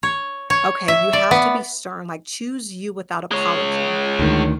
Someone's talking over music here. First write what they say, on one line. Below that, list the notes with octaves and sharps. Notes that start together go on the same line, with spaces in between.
okay, you have to be stern, like, choose you without apology,
C#5
C#5
E5
D5
B3
G#3 C#5
D2 D#3